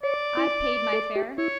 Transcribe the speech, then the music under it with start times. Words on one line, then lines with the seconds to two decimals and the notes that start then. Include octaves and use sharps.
I've paid my fare.
0.03 C#5 D5
0.37 E4
0.93 A4
1.16 G4
1.38 E4 C#5